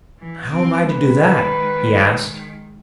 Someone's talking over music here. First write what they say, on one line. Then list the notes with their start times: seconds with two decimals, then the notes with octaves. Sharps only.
'How am I to do that?' he asked.
0.19 E3
0.49 C4
0.89 D#3 G#3 B4